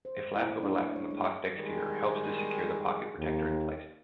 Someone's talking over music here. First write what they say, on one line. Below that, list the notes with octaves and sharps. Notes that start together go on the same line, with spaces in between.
A flap overlapping the pocket exterior helps to secure the pocket protector in place.
C5
G#3
E4
A#3
D4
A3
C#5
G#3
D#3 G3 G#3
D#2